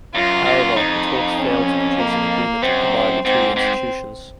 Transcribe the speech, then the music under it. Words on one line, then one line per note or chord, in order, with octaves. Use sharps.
However, the talks failed to produce an agreement to combine the two institutions.
F#2 F4
F#2
F2 D#4
C#4
A#3
F#2 C4
G#2 C4
G#2 C4